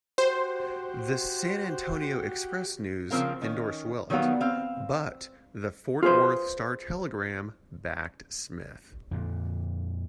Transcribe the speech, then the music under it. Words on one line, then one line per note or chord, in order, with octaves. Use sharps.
The "San Antonio Express-News" endorsed Willett, but the "Fort Worth Star-Telegram" backed Smith.
F#4 G4 C5
C#3 F3 C4 A#4 F5
D#3 C#4
D#3 F#3 G3 B3 F5
C4 F5
F4 G#4 B4 C5
F2 A#2 D3